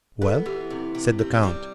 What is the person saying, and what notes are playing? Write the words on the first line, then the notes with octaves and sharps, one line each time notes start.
"Well?" said the count.
B3 A4
E3 G4
C3
C3
C4 G4
G3